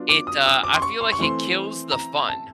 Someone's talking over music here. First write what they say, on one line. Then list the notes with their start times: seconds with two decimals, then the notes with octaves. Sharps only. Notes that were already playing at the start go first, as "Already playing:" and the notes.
it, uh, I feel like it kills the fun.
Already playing: F#3 B3 D4 F4
0.09 D6
0.27 D#6
0.46 D#6
0.63 D6
0.74 C6
0.82 C#6
1.01 C6
1.12 C#6
1.19 E3 A3 C4 C6
1.92 A#5
2.28 A5